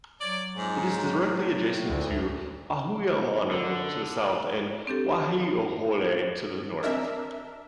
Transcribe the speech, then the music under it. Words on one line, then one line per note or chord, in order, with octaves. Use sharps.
It is directly adjacent to Ahuimanu to the south and Waiahole to the north.
F#3 C#5 D5
F2 G#2
A2
D2
D3
C4 D4 G4 A4
C4 D4 A#4 D#5 E5